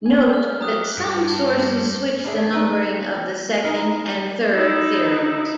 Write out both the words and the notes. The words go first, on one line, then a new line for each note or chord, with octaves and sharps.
Note that some sources switch the numbering of the second and third theorems.
G#5
G#3 A#3 F6 G6
F#3 G4 A#5 D#6 F#6
G2
A2 D4 G#4 E5
D#4 B4
G#3 D#4 E4 A#4
D#4 E4